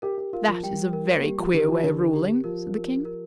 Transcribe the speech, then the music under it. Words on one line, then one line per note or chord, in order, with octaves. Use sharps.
"That is a very queer way of ruling," said the King.
G4 A#4
G4
F4 A#4
F3
G3 G5
A#4
A#3
G3 G4
F3
D3 G4
F3
D3 A#4
G4
F3 A#4
A#4
A#4